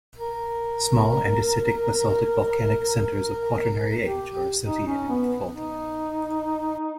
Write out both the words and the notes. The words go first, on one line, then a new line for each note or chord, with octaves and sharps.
Small andesitic-basaltic volcanic centres of Quaternary age are associated with faulting.
A#4
G4
D#4
C#4
B3
D#4